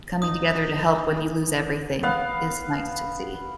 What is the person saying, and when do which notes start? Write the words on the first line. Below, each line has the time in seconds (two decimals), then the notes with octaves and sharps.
coming together to help when you lose everything is nice to see.
0.22 D#4 D#6
2.03 B3 F5